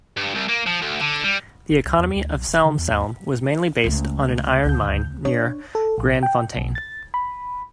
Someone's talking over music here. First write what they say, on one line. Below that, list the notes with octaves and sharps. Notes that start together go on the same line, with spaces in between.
The economy of Salm-Salm was mainly based on an iron mine near Grandfontaine.
G2
C2
A#3
F3
D2
D3
G3
G1
C2
E2
D2
B1
F1
D3
E2
D#2
C#2 A3
D2 G6
D4 C#5
A4
A#1
G5
B1
A6
B5